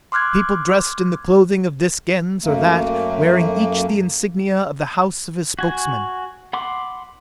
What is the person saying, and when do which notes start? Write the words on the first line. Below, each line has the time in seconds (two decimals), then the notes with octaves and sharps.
People dressed in the clothing of this Gens or that, wearing each the insignia of the house of his Spokesman.
0.12 C6 D6 F6 F#6 G#6
2.45 F#2 A3 A#3
5.59 F#4 G#5
6.53 F#5 B5 C6 D6